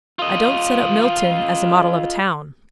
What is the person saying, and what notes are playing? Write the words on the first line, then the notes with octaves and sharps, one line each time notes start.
'I don't set up Milton as a model of a town.'
F4 D#5